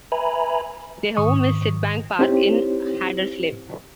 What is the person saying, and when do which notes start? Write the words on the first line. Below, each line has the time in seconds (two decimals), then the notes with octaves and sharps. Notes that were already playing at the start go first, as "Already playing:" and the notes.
Their home is Sydbank Park in Haderslev.
0.12 B4 E5 G#5 A#5 B5
1.17 G#2 D#3 C#6 D#6
2.19 C4 D#4 E4 G4 C5 C#5